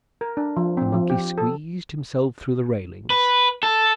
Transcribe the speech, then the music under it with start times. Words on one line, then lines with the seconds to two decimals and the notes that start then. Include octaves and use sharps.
The monkey squeezed himself through the railings.
0.21 A#4
0.37 D4
0.57 F3
0.77 C4
0.94 F3
1.10 G4
1.38 A4
3.10 B4
3.63 A4